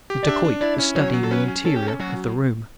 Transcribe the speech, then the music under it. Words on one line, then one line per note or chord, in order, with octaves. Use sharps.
The dacoit was studying the interior of the room.
G4
D5
D4 E5
D4
E4 D5
C#4
F#3 C#5
F#3
A4
C#4 B4
C#4
C#4 A4
G4
C#4 A4
F#3 F#4